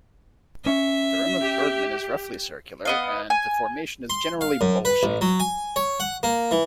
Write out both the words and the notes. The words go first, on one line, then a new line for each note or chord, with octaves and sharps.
The rim of Bergman is roughly circular, and the formation is generally bowl-shaped.
C#4 E5
G4
B3 D#5 F5
G#5
C6
F5
F#2
B4
A1
F#3
G#5
C#5
F#5
A#3
E3